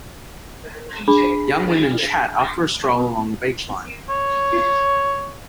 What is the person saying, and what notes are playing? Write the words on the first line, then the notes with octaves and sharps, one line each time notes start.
Young women chat after a stroll along the beach line.
D4 G#4 B5
C#5